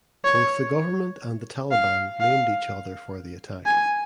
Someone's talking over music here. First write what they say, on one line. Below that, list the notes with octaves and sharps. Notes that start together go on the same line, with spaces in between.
Both the government and the Taliban blamed each other for the attack.
C#5
F5
F5
G#5